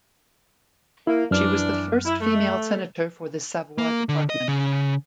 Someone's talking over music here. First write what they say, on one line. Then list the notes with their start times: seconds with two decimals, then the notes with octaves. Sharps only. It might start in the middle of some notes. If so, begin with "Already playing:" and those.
She was the first female senator for the Savoie department.
1.07 A#3 E4
1.31 F#2 E3 D4 F6
2.05 E4
2.21 A3
3.78 A#3
4.09 D3
4.30 D#5
4.48 C#3